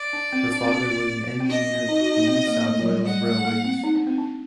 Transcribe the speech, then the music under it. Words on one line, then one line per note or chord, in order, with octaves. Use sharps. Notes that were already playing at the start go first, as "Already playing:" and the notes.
Her father was an engineer with the New South Wales railways.
Already playing: D5
D4
C4
D4
C4
D4
C4
D4 D#5
D#4
F#4
D#4
C4
A#3
A#3
A3
F#3
G3
G3 F#5
A3
A#3
C4
D#4
D4
C4
D4